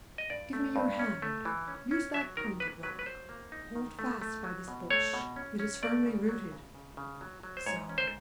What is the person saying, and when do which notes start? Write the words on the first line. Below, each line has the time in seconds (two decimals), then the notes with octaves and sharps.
Give me your hand--use that point of rock--hold fast by this bush; it is firmly rooted--so!
0.18 D#5
0.30 G2 D5
0.53 A3
0.76 G2
0.99 C#4
1.22 A3
1.45 E3
1.68 C#4
1.91 C#4
2.14 F#3 E5
2.37 D#3 A#4
2.60 A#3 B4
2.83 F#3 B4
2.99 B4
3.06 F#3 C5
3.29 A#3
3.52 D#4
3.75 D#3
3.99 A3
4.22 A3
4.44 F#3
4.68 B2
4.90 A3 C#5
5.14 B2
5.36 C#4
5.59 C#4
5.83 A3 D5
6.06 C#3
6.29 F#3
6.52 C#3
6.75 C#3
6.97 C#3
7.21 F#3
7.43 F#3
7.57 C5
7.66 G#2 C#5
7.89 C#4
7.98 C5